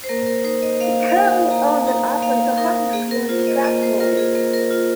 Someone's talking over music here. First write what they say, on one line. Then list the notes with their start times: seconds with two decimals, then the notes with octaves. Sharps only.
He currently owns and operates a hockey school in Strathroy.
0.04 C5
0.09 A#3 A#4
0.26 A#4
0.44 D#4 C5
0.62 D#5
0.80 A#3 F5
1.10 F5
1.16 D#4 G#5
1.51 A#3 A#5
1.86 D#4 A#5
2.22 A#3 F5
2.58 D#4 A#4
2.93 A#3 G#4
3.11 A#4
3.29 F4 C5
3.47 D#5
3.64 A#3 D#5
3.83 C5
4.00 F4 A#4
4.17 G#4
4.35 A#3 A#4
4.53 A#4
4.71 F4